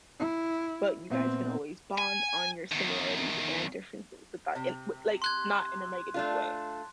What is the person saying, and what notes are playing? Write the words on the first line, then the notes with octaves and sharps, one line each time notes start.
but you guys can always bond on your similarities and differences without an what like, not in a negative way.
E4
A#2 B3 C4 E5
G#5
E2 D#3
C3
C6 F#6 G#6
A3 D4 F4